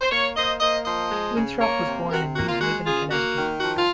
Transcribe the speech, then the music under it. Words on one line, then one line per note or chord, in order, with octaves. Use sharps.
Winthrop was born in New Haven, Connecticut.
C5
A#3 A#4 C#5
A#3 C5 D#5
A#3 C5 D#5
F3 C5 D#5
G#3
C#3
A#3 A#4 C#5
C3
C3 F#4 A#4
A#3 F#4
F4
G#3 F#4
C#3 F4 G#4
A#3 F#4
D#3
F3 F#4
F4